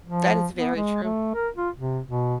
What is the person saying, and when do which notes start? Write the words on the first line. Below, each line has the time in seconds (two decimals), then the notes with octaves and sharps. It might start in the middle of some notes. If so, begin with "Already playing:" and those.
That is very true.
0.06 F3
0.57 B3
0.76 G#3
1.04 A3
1.34 A#4
1.57 F4
1.77 C3
2.07 B2